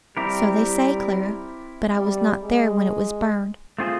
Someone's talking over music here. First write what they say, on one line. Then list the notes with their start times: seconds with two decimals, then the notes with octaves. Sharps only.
"So they say, Clara; but I was not there when it was burned."
0.17 G3 C4 E4 G4 A#4
1.98 G3
2.43 G#3
3.78 A3 C4 F4 G#4 C5